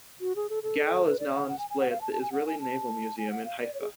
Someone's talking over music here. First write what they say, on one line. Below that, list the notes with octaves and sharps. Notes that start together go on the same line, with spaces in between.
"Gal" is now on display at the Israeli Naval museum in Haifa.
F#4
G#4
A4
A4
B4
D5
F#5
F#5
G#5
G#5
F#5
F5
A5
A5
G#5
F#5
G#5
A5
G#5
F#5
F5
D5
C#5
G#4